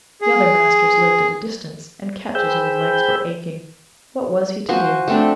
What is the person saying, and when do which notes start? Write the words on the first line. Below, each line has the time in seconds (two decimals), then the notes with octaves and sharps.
The other masters lived at a distance, and Ketch's old legs were aching. What was he to do?
0.21 G#4
2.35 G#4 C5 G5 B5 E6 G6
4.69 F3 F#4 C5 G#5
5.08 A3 C4 D4